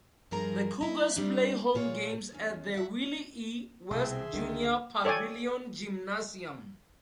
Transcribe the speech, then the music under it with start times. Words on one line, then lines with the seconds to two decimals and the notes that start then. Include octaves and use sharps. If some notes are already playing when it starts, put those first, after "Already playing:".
The Cougars play home games at the Willie E. West Junior Pavillion Gymnasium.
0.31 G2 F3 G#4 A#4 A#5
0.81 E4 D#5
1.16 G3 C4 D4 D#4
1.75 A#2 F4 G#4 C#5
2.32 E2 C#4
2.74 E5 F#5
3.91 C2 B2 C4 G#4 E5 C6
4.33 C#2 D3 D#3 A3 B3
5.05 A4 C#5 D5 G5 G#5